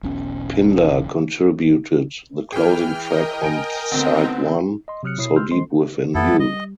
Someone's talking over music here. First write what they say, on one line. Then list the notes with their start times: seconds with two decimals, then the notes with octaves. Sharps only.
Pinder contributed the closing track on side one, "So Deep Within You".
0.03 E1 B1 B2 C#4
2.52 E3 G#4 G5 F6
3.10 A#4 D#5 G5
3.42 G#5 D7
3.91 D2 D3 B3 C4
4.88 D#5 C6
5.03 C3 F#3 D#6 F6 F#6 C#7
5.18 B2 E4 C#5 D#6 C7
5.36 G#3 C6 E6 F6 G6
5.51 E3 G#3 C5 D#5 C6 C7
6.15 F2 F#3 B3 E4 A4
6.28 G3 G#3
6.40 G3 D#5